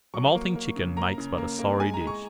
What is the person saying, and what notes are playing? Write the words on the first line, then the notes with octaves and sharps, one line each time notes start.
A moulting chicken makes but a sorry dish.
F#3 C#6
A#3
A#3
C#3
A#3 A#5
C#3
A#3
A#3
G#3 G#5
A#5
G#3
C#6